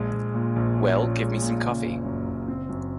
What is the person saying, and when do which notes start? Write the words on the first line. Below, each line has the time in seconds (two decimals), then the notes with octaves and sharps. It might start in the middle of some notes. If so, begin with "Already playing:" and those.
Well, give me some coffee.
Already playing: A#1 G#3
0.13 A#1
0.34 A#2
0.56 A#1
0.77 C#4
0.99 A#2
1.19 G#3
1.41 A#2
1.63 C#3
1.84 F#1
2.05 F#2
2.27 F#1
2.48 C4
2.69 F#2